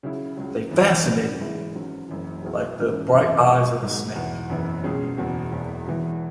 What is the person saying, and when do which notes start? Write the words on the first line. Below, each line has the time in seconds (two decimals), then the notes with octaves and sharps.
They fascinated me like the bright eyes of a snake.
0.03 C#3 F#3 E4
0.37 C#2 C#3 F#3
0.71 F#2 E3 B3
1.06 C#3 F#3 C#4 F#4 B4
1.40 G#2 E3 G#3 E4
1.74 G#1 G#2 F#3 C#4
2.09 F#1 F#2 E3
2.42 B1 B2 F#3 E4 G#4
2.78 G#1 G#2 E3 C#4
3.12 F#2 E3 B3 E4
3.47 C#2 B2 B3
3.80 G#1 G#2 F#3
4.15 E2 B2 B3
4.49 F#1 F#2 E3 B3
4.84 C#2 B2 F#3 C#4 G#4
5.17 F#1 E2 B2 F#3
5.52 E1 E2 B2 B3
5.86 E1 E2 E3 B3 F#4